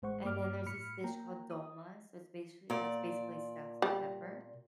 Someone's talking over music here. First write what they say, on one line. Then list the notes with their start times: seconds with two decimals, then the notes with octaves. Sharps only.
And then there's this dish called dolma, so it's basica it's basically stuffed pepper.
0.02 A1 G#3 C5 F#5 C#6
0.24 G2 A#3 D6 F6
0.66 A2 B5 F6 C#7
1.04 A#3 G5 A#5
1.51 D#6
2.70 A#2 D5
3.82 G3